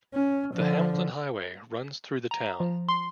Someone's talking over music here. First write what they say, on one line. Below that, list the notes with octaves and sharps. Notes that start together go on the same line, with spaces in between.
The Hamilton Highway runs though the town.
C#4
D3 F3
A#5
F3
C6